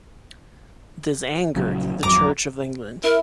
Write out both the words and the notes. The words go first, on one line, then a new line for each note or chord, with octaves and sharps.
This angered the Church of England.
A#1 C#3 F#3
G#1 F2 F#3 A#5 D6
E4 A#4